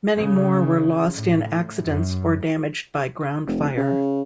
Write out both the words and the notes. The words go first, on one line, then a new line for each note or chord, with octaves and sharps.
Many more were lost in accidents or damaged by ground fire.
C#3
A2
F#2
F1
C#3